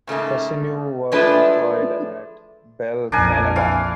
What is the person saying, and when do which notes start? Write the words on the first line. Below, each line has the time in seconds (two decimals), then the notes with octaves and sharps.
Cousineau was employed at Bell Canada.
0.07 G#2 C#3 A3 A#3
1.12 E3 F3 G#3 A3 D4 B4
3.12 A#1 F2 D4 A#4 G#5
3.56 E3 F5